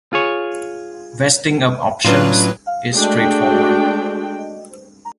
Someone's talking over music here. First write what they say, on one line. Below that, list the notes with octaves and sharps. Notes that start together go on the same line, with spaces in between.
Vesting of options is straightforward.
F4 G#4 C#5
A2 F#3 C#4 D4 F4 B4
G#3 A3 D4 F#4 G5